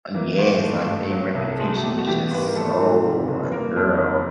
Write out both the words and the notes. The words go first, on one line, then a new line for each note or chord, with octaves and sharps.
Uh, yes, like, they reputation was just so like, girl,
E3 A#3 A#4
G#1
A3
G2
F#3
C2
A4
G#3 A3 G#4
F#4
B2 G3 G4
F#4
E3 G3 G4
G#1 B4
A#4
G3 A3 A4
G#2
C3
F#1
B4
F#1 A#3 A#4
F2
F3